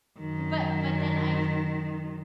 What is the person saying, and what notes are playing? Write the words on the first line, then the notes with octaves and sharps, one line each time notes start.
but but then I
F#2 D#3